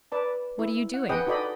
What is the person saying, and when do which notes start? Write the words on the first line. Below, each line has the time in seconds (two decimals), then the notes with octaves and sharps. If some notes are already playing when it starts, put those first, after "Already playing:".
'What are you doing?'
0.12 B4 D5 A5
0.59 E4
0.94 F#5
1.09 G#4 B4 D#5 F#5 G5 D#6
1.27 D#4 F#4 A4 D5 D#5 B5